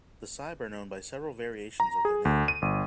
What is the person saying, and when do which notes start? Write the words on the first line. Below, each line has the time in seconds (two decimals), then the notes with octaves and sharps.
The Sibe are known by several variations of their name.
1.80 A#5
2.05 G#4
2.25 D2
2.48 D#7
2.62 G1